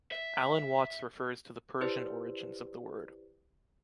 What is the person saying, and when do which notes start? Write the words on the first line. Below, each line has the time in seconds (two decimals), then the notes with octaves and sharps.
Alan Watts refers to the Persian origins of the word.
0.12 E5
1.81 E4 G4 B4 C5 D5